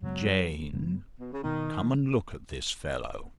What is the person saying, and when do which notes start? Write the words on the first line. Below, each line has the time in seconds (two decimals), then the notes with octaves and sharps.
"Jane, come and look at this fellow."
0.02 F#2 C#3 F#3 G#3 B3
0.73 F#2 C#3 G#3 B3
1.19 B2
1.32 C#3
1.43 B2 D#3 B3